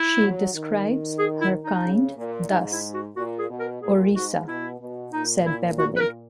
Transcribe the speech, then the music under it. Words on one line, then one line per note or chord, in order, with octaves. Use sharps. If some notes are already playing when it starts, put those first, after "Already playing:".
She describes her kind thus: "Orisa," said Beverley.
Already playing: E4
F#3
D#3
G#4
E4
D#4
C#3
A#2
G#2 D#4
E4
F#4
A#2 F#4
G#4
B2
A#4
A#2 G#4
G#2 F#4
B2 E4
B2
A#2 D#4
E4
F#4
B4
A#4